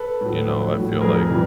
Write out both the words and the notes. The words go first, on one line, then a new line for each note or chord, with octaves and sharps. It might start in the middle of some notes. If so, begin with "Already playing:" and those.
you know, I feel like,
Already playing: A4 B4
A2 F#3
A#1
A2 F#3
F2 G#4 A#4
C3 E3 G3